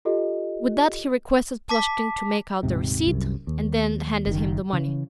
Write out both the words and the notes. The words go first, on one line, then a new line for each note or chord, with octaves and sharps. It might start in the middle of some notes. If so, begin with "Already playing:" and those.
With that he requested Plushkin to make out the receipt, and then handed him the money.
F4 G4 A4 D#5
A5 D6 B6
D#1 G#1 G#2 C3
C2 F#2
D#2
F#1 D#3
C#3 E3